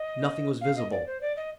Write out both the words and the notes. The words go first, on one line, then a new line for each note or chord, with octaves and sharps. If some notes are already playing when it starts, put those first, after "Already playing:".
Nothing was visible.
Already playing: D#5
F5
D#5
D5
C5
D5
D#5